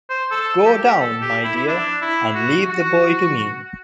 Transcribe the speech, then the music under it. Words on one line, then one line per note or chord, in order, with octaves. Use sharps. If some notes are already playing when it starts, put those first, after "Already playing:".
Go down, my dear, and leave the boy to me.
C5
A4
G4
A4
G4
E4
E4
D4
E4
F#4
F#4